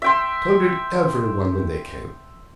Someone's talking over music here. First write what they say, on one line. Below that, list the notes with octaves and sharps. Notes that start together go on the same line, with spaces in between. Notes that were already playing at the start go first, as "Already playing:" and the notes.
So did every one when they came.
E5 G5 C6